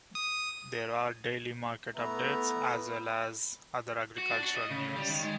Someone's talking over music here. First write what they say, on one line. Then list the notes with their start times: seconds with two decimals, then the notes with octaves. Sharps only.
There are daily market updates, as well as other agricultural news.
0.15 D#6
1.95 A3 B3 E4 B4 E5 A#5
4.18 F#4
4.31 D4
4.44 F#4
4.56 D#5
4.71 C#3
4.96 G3
5.09 D#3
5.23 G#3